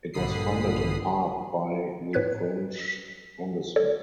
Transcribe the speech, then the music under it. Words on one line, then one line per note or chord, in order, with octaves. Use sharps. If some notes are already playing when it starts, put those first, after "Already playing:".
It was funded in part by the French embassy.
A#1 G2 D3 B5 D#6 C7
A2 B4 C#5 F#6 G#6 B6
A4 C#5 D5